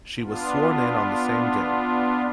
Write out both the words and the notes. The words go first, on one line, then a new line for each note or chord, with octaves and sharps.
She was sworn in on the same day.
B3 D4 F4